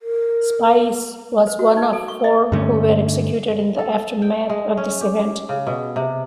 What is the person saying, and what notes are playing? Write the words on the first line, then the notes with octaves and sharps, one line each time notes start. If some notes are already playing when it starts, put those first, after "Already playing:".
Spies was one of four who were executed in the aftermath of this event.
A#4
C5
F#4
D#4
A4
C#6
D#5
G2 D3 A3 C#4
A4
G5
G#3
C#4
G4
C#3
B2
C3